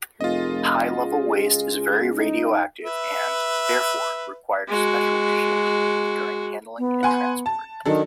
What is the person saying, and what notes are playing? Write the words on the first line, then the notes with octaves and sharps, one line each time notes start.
High-level waste is very radioactive and, therefore, requires special shielding during handling and transport.
F1 A3 F4 G#4 A#4 D#5
C#2 G#4
D#4
B4 E5
G#3 F#4
B3
F#5 G#5 C6
A5
D#3 F#3 D4 A4